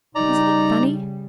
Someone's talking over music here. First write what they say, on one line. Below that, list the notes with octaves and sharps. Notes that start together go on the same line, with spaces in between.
Isn't it funny?
C#3 G3 D#4 D5 A#5